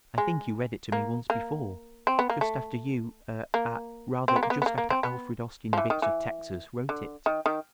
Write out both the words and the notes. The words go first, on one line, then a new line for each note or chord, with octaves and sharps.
"I think you read it to me once before, just after you--er--ah--rather just after Alfred Austin Biggs, of Texas--wrote it."
G#3
A#3
A#3
C4
B3
A#3
A3
A#3
C4
B3
A#3
B3
B3
A#3
A#3
C4
B3
F3
E3
D#3
E3
D3
D#3
D#3